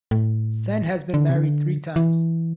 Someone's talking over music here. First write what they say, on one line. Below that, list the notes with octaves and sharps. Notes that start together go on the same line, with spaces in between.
Sen has been married three times.
A2
D3
C3
D3
E3